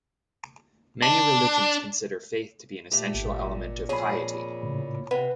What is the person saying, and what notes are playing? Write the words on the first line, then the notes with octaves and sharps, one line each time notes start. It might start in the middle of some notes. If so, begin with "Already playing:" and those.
Many religions consider faith to be an essential element of piety.
D4
A#2 A3 G4
G#1 A#2
F2 G#4 C#5 B5
A2 C#3
C3 B4 F#5